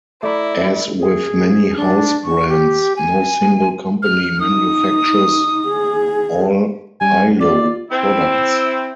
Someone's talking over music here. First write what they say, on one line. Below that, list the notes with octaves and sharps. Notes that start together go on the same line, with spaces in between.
As with many house brands, no single company manufactures all iLo products.
A3 E4 D5 A#5 B5
G#4
D4
C#6
G4
G#5
F6
D#4 D#6
G#4
G3 C#4 G5 G#5
F4 D5
C4 E4